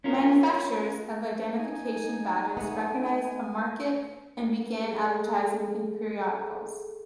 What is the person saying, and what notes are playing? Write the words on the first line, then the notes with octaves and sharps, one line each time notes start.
Manufacturers of identification badges recognized a market and began advertising in periodicals.
C#4 F4 A#4
D#4 G#5
A3 B3
G#4 A4